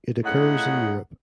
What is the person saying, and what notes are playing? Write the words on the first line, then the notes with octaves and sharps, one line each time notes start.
It occurs in Europe.
A2 C#3 D#4 F#5